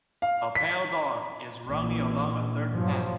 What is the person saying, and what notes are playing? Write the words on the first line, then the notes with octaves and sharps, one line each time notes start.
A pale dog is running along a dirt path.
F5
B6
A#1 E3
G2 F3 F#3